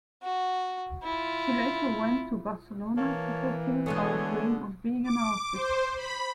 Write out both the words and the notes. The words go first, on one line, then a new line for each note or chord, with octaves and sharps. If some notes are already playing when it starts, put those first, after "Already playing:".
She later went to Barcelona to fulfill her dream of being an artist.
F#4
E4 F4
E3 A#3 C#5 A5
B2 D3 G#3 A3 B3 C#5 G#5
D6
C5
B5